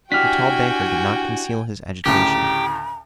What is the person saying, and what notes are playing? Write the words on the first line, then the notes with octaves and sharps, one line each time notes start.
The tall banker did not conceal his agitation.
D4 E4 F#4 G4 G5 G#5 F6 B6
D2 A2 C#3 G4 A#5